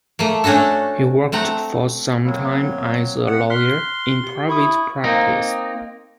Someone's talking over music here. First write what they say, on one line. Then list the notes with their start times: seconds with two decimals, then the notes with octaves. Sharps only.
He worked for some time as a lawyer in private practice.
0.19 A3 A#3
0.44 A3 C#4 D4 F#4 A4
1.32 A3 C4 F#5 A#5
2.25 F#3 A#3 C4
3.27 F#5
3.50 C6 F6 F#6 B6
4.24 G4
4.49 E4 B5 C#6 D#6
5.04 A#3 C4 D#4